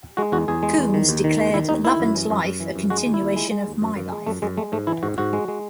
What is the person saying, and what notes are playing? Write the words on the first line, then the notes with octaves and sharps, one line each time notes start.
Combs declared "Love and Life" a continuation of "My Life".
G#3 F#4
E2 F#4
E2 G#4
G#3
E2
D#3
D#2
D#3
D#2
D#3 E4
D#2 D#4
D#3 E4
F#2
E3
F#2
F#2
E3
F#2
G#3 F#4
D#2
E4
D#2
G#3
G#3
D#2
F#2
F#2
G#3
F#2 A3
F#2 G#3
G#3 A3
G#2 A3
E3 E4
G#2 F#4
G#2 F#4
G#3
G#3